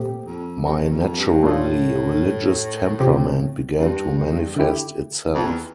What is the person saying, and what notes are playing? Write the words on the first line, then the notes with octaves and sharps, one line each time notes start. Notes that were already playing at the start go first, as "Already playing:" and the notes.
My naturally religious temperament began to manifest itself.
Already playing: A#2 A3 C4 G4
F2
G2
F2
G2
A2 A3 D4 F4
C3 F3 C4 G4
G2
G2
D3 A3 E4 G4
F2
E2